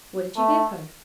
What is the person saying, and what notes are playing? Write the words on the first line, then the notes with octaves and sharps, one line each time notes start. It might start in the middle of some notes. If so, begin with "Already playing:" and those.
'What did you give her?'
A3